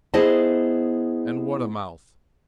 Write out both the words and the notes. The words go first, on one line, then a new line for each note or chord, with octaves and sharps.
And what a mouth!
B3 E4 G#4 C5 D#5 A5